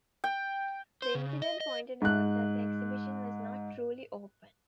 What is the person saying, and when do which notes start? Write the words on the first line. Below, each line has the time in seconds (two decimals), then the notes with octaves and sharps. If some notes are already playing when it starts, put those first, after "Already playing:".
The incident pointed out that the exhibition was not truly "open".
0.24 G5
1.02 C5
1.15 C#3
1.42 D#5
1.60 D#5
2.02 G#2 F#6